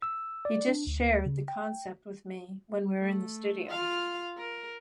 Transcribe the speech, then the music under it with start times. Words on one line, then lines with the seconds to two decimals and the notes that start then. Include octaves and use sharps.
He just shared the concept with me when we were in the studio.
0.02 E6
0.45 D5
0.68 D4
0.87 D2
1.26 C#3
1.48 G5
2.99 A3
3.69 F4 F5
4.37 A#4